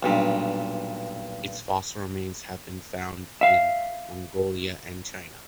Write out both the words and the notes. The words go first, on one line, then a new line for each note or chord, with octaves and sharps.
Its fossil remains have been found in Mongolia and China.
B1 G2 A#2
E5 F5